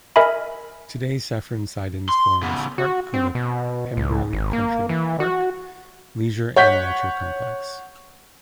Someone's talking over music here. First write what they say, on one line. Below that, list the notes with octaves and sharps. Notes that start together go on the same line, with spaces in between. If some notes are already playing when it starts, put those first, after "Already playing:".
Today Cefn Sidan forms part of the Pembrey Country Park leisure and nature complex.
A#4 D#5 E5 G#5 B5
C6
C#3 B3
F#4
C4
B2
C#2
G#1
A#3
E3
F#4
C#5 F#5 G6 B6